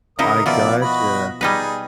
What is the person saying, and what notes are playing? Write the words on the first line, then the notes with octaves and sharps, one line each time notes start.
I gotcha.
C#3 D#4 E4 A#4 D#6
B2 F3 A#3 D5 E5
F#4 D#5 B5
G3 D#4 G#4 B4